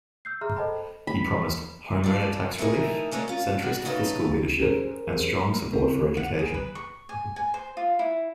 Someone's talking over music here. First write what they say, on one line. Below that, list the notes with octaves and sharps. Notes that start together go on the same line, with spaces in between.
He promised homeowner tax relief, centrist fiscal leadership, and strong support for education.
E6 G6 C7
G#4 E5 A#5 C6 F6
A4 C5 D#5 G5 A5 B5
B5
F3 D5
A3 D#4 E4 G4 G#4 A#4
D3 G#3 A3 A#4 C#5
C#4 F4
D4 F#4
C#3 A3 D#4 A4 B4
C#4 G4 G#4 A#4 C5
A#3
C#3 C4 E4 A#4
F#5
G#4
B4
C#6
G#5
G#5
C5
F4
E4